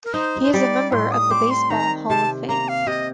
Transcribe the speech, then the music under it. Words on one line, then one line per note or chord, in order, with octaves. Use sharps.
He is a member of the Baseball Hall of Fame.
A#4
D#4 C5
C5
G3 D5
A2 C6
D#6
C4 D6
C6
D#3 A#5
C3 A5
A#3 A#5
F5
C3 D#5